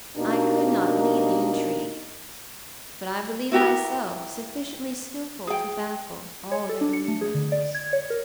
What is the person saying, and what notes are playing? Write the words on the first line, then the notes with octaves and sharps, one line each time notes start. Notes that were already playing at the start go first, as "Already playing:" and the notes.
I could not lead the intrigue, but I believed myself sufficiently skilful to baffle all their manoeuvrings.
B2 A#3 D4 D#4 G4 A#4
E4 F#4 G4 A#4
G#4 G5
C#5
A4
D4
C#7
A3
G#4
D3
D5
G#6
C#5
A#4